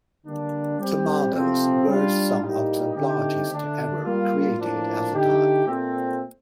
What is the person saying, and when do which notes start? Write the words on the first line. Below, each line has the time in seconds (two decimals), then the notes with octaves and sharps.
The models were some of the largest ever created at the time.
0.24 D3 G3 A#3 D4
0.78 G3 C4 G4
1.32 C3 F3 A3 C4
1.86 G3 D4 F4
2.41 A2 G3 A#3 D#4 G4
2.95 D3 A3 C4 D#4 G4
3.49 D3 A3 D4
4.03 G3 A#3 F4
4.57 A2 F3 A#3 D4
5.11 D3 A3 D#4 G4
5.66 A#2 A3 C4